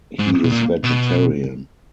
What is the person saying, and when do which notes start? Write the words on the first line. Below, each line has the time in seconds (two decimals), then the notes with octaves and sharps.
He is vegetarian.
0.19 G#2
0.44 B2
0.52 A#2
0.84 B2